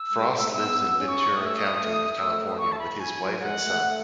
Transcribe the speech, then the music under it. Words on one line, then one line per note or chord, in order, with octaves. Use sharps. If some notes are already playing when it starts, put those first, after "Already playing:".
Frost lives in Ventura County, California with his wife and son.
Already playing: E6
G#3
A3
B3 E6
E6
C#4
C#6
A3 D#6
E6
D#6
A3
A3 E6
C#6
A5
B5
G#5
F#3
G#3 F#5
A3
A3 F#5